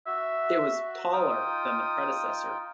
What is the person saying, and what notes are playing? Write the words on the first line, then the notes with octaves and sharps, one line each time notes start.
It was taller than the predecessor.
F#4 E5
D#4 F4 G5 D#6